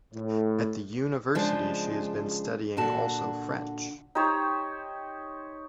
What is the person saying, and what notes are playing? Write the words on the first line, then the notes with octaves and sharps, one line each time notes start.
At the university she has been studying also French.
A2
C#3 F3 G#3 D4
A#2 D3 F#4 A5
D#4 G4 C5 C#5